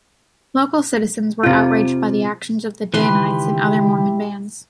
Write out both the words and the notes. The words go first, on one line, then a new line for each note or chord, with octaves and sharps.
Local citizens were outraged by the actions of the Danites and other Mormon bands.
C3 F4
C#2 D#3 E3 E4 G4 B4 C6